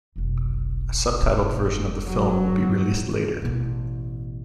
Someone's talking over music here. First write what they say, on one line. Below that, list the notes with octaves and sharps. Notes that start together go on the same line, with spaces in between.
A subtitled version of the film will be released later.
F1 B1
F#3
A1 B2